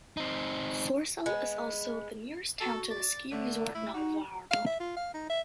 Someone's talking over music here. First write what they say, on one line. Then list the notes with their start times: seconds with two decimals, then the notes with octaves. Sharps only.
Sorsele is also the nearest town to the ski resort Nalovardo.
0.17 C4 D#4
1.26 G#3 B3
2.61 F#4 A4
2.90 D5
3.32 D3 A3
3.75 A3 E4
3.94 D#4 F#4
4.51 F5
4.66 E5
4.80 F4
4.96 F5
5.14 D#4
5.30 E5